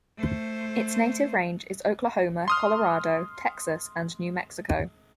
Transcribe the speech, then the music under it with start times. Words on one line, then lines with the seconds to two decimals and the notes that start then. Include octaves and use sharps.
Its native range is Oklahoma, Colorado, Texas, and New Mexico.
0.18 A3 C5
2.48 C6 D#6 F6